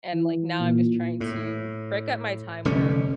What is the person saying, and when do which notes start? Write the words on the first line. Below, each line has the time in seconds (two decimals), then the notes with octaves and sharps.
and, like, now I'm just trying to break up my time where,
0.13 E3
0.60 A#2
1.20 A2
2.65 F1 D3 G3 C#4